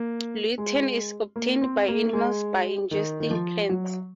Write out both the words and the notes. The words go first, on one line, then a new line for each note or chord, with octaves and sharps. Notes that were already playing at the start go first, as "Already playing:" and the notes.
Lutein is obtained by animals by ingesting plants.
Already playing: A#3
G#3
A#3
C4
A#3
G#3
D#3
D#3
F3
F#3